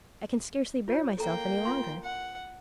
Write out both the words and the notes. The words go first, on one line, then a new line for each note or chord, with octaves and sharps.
I can scarcely bear myself any longer.
F4 C#5
A#3 A4 G5 A#5
F4 C6
F#5